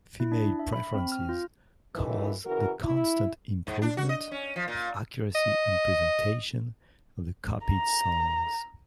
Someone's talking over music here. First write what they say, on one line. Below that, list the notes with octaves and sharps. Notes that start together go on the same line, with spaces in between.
Female preferences cause the constant improvement of accuracy and presentation of the copied songs.
E4
D4
E5
B5
C4
F6
F4
F#2 A2 C#3 E3 D#4 B4
C#3 E3 F#4 A#4
E4
G#2
D4
F#4
D#5
C#4
F3
A#2
D#5
A#5